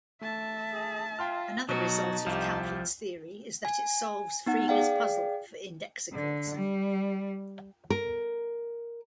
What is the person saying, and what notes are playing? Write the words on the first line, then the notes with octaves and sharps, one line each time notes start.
Another result of Kaplan's theory is that it solves Frege's Puzzle for indexicals.
A3 E5 A5
G#4
F4 G5 C6 F6
B2 F#3 D#4 F#4 A5
C2 F3 G4
G#5
B3 D#4 F#5
G#4 D5 F5 G5
D3
G3
A#4